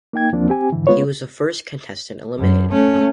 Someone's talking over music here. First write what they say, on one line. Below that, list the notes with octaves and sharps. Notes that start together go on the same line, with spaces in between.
He was the first contestant eliminated.
A#3 D#4 G5 G#6
D#2 F3 A#3 C4 D4
C4 G4 G#5
G#2 D3 E3
G#3 B3 F4 B4 C#5
F#2
A3 C#4